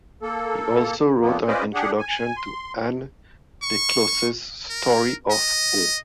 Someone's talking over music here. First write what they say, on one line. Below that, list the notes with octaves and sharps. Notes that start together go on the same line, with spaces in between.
He also wrote an introduction to Anne Desclos's "Story of O".
A#3 A4
F2 A#2 F3 A#3 B3
C#4 F4 B4 C5 D5 D#5
D4 G4 G#4 F#5
G#5
C6
C#6
A#4
D#5